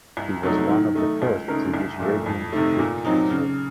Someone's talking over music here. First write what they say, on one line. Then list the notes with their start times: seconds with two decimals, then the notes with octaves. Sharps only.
He was one of the first to use radium to treat cancer.
0.17 C2
0.43 C3 F#3 A3 D#4
0.69 D#3
0.95 A3 D#4
1.22 C#2
1.48 C#3 A3 D#4 A#4
1.74 C2
2.00 A#2 F3 A3
2.26 F2
2.52 C3 D#3 A3
2.79 A#2
3.04 F#3 C4 D#4
3.30 C#3